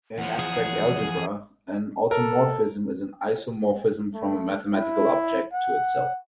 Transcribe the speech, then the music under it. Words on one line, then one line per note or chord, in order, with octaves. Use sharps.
In abstract algebra, an automorphism is an isomorphism from a mathematical object to itself.
E2 F3 F#5
G#4
A4 A#4
A3
E4
F#5